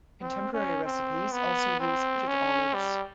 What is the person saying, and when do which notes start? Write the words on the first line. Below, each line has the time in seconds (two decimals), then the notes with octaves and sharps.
Contemporary recipes also use pitted olives.
0.22 C4
0.54 C#4
0.85 C4
1.32 B3
1.80 C4
2.28 C#4
2.74 G3